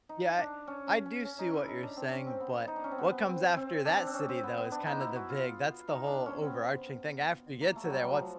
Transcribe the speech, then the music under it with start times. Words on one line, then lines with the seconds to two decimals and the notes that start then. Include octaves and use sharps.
Yeah, I do see what you're saying, but what comes after that city, though, is kinda the big that's the whole overarching thing, after you get to there, what's
0.09 D#4
0.38 D4
0.67 C#4
0.87 C#4
1.06 C#4
1.25 C#4
1.39 D#4
1.54 E4
1.68 D#4
1.83 D4
1.97 C4
2.12 C#4
2.27 C4
2.40 B3
2.68 D#4
2.76 D4
2.84 C#4
2.91 C4
2.98 B3
3.28 C4
3.57 C4
3.85 D4
4.07 C4
4.14 C#4
4.29 C4
4.43 B3
4.57 B3
4.72 D4
4.87 D#4
5.00 E4
5.16 F#4
5.30 F4
5.88 D#4
6.07 D4
6.26 C#4
6.42 B3 C4
7.61 A#3
7.76 A3
7.84 F#3
7.90 G3
8.04 F#3
8.19 F3